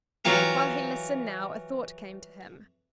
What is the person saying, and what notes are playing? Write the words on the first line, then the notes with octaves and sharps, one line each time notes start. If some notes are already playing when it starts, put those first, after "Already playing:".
While he listened now a thought came to him.
E3 F#3 F4 G4 A#4